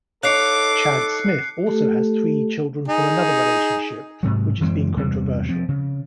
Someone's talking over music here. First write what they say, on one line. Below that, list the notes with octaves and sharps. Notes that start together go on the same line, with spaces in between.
Chad Smith also has three children from another relationship, which has been controversial.
D#4 A4 C#5 F5 D6 F#6 C7 C#7
A3 G4 A4
D#4 G#4
G#2 C3 F#3
F#2 E3 G#3 C4
E2 G2 C3 G3
F3 C4
C#3